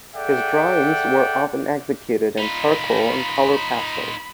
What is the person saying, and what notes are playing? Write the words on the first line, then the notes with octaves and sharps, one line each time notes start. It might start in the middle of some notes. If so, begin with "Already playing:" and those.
His drawings were often executed in charcoal and colour pastels.
G#4 A4 D5 E5 F#5 G5
D#4 F4 B5